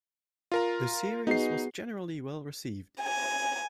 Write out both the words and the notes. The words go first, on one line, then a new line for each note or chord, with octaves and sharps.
The series was generally well received.
F4 A#4 A#5
B3 D#4 F#4 G#4 C7
G#5